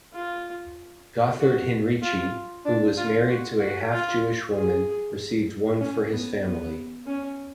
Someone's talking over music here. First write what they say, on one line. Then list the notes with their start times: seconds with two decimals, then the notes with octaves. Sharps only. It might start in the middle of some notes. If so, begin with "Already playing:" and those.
Gotthard Heinrici, who was married to a half-Jewish woman, received one for his family.
0.14 F4
1.40 F#4
2.02 F4
2.65 D4
2.97 F4
3.28 F#4
3.60 F#4
3.92 F4
4.54 G#4
5.81 C#4
6.12 B3
6.44 B3
7.06 C#4